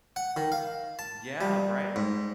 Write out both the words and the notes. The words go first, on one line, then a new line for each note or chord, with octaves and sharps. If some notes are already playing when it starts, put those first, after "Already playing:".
Yeah, right?
F#5
D#3
F5
A5
G3
G#2